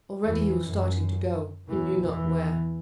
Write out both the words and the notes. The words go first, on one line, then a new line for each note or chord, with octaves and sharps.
Already he was starting to go, he knew not where.
E2 E3
F#2
E2 E3
E2 E3